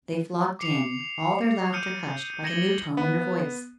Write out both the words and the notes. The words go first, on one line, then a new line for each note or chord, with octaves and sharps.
They flocked in, all their laughter hushed by the new tone in her voice.
D6 C7 C#7 F7
D#6 F6 G6 C#7 D#7
G#6 A#6 C#7 E7 F#7 G7
B3